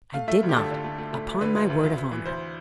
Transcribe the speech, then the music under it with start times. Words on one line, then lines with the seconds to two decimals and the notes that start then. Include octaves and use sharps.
"I did not; upon my word of honour."
0.14 A3 F5
0.28 A3 E5
0.43 D2
0.49 G4
0.57 D3 A4
0.71 D3
0.84 A3
0.98 A3
1.13 A3
1.27 D2
1.41 D3 B4
1.56 D2
1.70 D2
1.84 D2
1.97 D2
2.12 E3
2.26 D2 C5